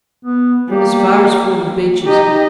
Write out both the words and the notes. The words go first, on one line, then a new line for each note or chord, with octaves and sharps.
'As far as Fordham Beeches.
B3
G3 A#3
D#4 G4 D#5